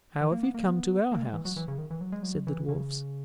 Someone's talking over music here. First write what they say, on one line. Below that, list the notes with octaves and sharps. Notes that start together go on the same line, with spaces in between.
"How have you come to our house?" said the dwarfs.
E3
A#3
B3
A#3
B3
A#3
G#3
E3
F#3
E3
C#3
D#3
E3
F#3
G#3
F#3
E3
C#3